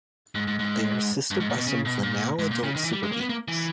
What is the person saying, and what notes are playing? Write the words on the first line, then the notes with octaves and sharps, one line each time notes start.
They are assisted by some of the now-adult super-beings.
G#2
G#2
G#2
G2
G#2
A#2
B2
C#3
B2
A#2
G#2
A#2
C#3
D#3
E3
G3
G#3
A#3
B3
A#3
E3